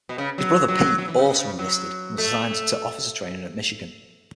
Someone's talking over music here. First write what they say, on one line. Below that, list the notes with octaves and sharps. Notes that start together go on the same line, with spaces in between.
His brother, Pete, also enlisted and was assigned to officer training at Michigan.
B2
C#3
F#3
F#3
F#3
E3
C#3
B2
C#3
F#3
A3